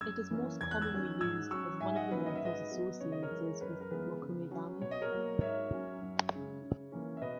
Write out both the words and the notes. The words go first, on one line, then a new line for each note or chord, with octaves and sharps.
It is most commonly used as one of the metals associated with mokume-gane.
F#2 E6 G#6
E3 A#3 C#4
E2 G#6
F#6
E6 G#6
D#3 F#3 C#4
G#2 E6 G#6
F#3 C#4 C#6 E6
G#2 E5 G#5
D#5 F#5
D#3 F#3 A#3 C#4 B4
D#5
E5
G#2 B4 D#5
F#3 B3
C#3 C#5
D#5
A#4 C#5
E3 G#3
F#2 B4
A#4
E3 G#3 B3 B4
C#3
F#3 C#4
B2 C#5
D#5
A#4 C#5
F#3 A#3
G#2 C#5 E5
F#3 C#4
F#2
C#3 G#3
C#3
E3 A#3 C#4
E5
B2 B4 D#5